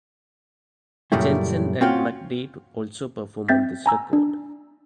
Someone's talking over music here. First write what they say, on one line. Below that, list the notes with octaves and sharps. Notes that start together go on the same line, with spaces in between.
Jensen and McDade also perform on this record.
F#2 A#2 C#3 G3 A3 E4
C4 C#4 F4 F#4 G5
C4 E5 G6 A6 B6
G#5 A#5 E6
D4